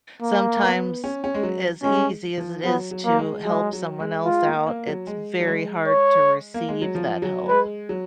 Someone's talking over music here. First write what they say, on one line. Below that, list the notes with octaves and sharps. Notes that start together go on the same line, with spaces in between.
Sometimes, eh, as easy as it is to help someone else out, it's very hard to receive that help.
A#3
B3
C#4
C#4
G#3
F#3
G#3 C#4
F3
F#3 B3
F#3
A#3
G#3
F#3 G#3
F#3
G#3
G#3 F4
A#3
A#3
F#3
G#3
F#3
G#3
C#5
A#3
G#3
F#3
F3
F#3
G#3 B4
F#3